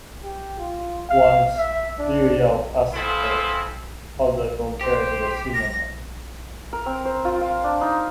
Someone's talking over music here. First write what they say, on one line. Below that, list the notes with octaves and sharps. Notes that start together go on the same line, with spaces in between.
Once, Liu Yao asked her: How do I compare to the Sima man?
G4
F4
F5
E5
D4
B3 C4 E4 F4 G#4 A4
G4 C5
A#6
A#4
C4
C5
F4
F5
D4
D#4